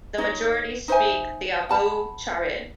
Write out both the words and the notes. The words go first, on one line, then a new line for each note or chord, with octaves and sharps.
The majority speak the Abou Charid.
D#4 C#5 D#5
D#4 C5 E5 G#5
F#5 A5 B5